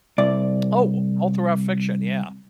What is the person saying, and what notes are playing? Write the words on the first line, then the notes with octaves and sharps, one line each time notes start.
Oh, all throughout fiction, yeah.
C2 D5